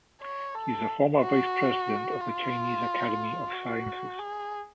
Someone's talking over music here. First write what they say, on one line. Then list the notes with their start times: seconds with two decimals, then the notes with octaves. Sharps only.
He is a former Vice-President of the Chinese Academy of Sciences.
0.21 C#5
0.55 A4
1.21 F#4
2.20 F4
3.53 F#4
4.19 G#4